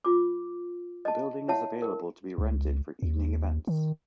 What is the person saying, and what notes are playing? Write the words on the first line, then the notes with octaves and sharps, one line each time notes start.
The building is available to be rented for evening events.
F4 D6
D#5 A5
E4 C#5 E5 F#5 A5
A#4
C#2
D#2
D#3